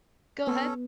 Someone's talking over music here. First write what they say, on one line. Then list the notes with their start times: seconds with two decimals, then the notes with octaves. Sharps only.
Go ahead.
0.47 B3 C#4 A4